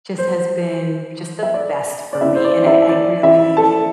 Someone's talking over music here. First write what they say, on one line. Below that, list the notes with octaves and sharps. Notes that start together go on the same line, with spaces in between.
just has been, just the best for me, and I I really
C5
E5
D5
D5
E4 E5
C5
D5
D5
E4 E5
D5
E4 E5
A4 A5